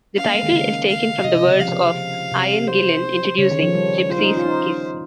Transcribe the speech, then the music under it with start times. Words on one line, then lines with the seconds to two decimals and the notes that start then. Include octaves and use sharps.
The title is taken from the words of Ian Gillan introducing "Gypsy's Kiss".
0.17 C#4 F5
0.26 A#3
0.35 G#3
0.43 D#3
0.52 C#3
0.88 F5
1.24 C3 D#5
1.36 C3
1.47 C#3
1.60 F3 F5
2.31 C3
2.67 C5
3.38 C#3 C#5
3.50 D#3
3.63 F3
3.74 G3
4.10 F4 C5
4.19 D#4
4.28 C#4
4.37 F4
4.46 D#4